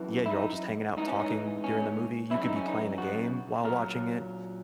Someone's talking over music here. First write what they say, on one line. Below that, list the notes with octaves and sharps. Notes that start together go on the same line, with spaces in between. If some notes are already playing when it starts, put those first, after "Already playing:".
yeah, you're all just hanging out talking during the movie. You could be playing a game while watching it.
Already playing: F#2 E3
E4
D#4
G#2 E3 D#4
C#4
D#4
C#4
F#2 C#3 E3 E4
D#4
C#4
D#4
F#4
A#2 F#3 A#4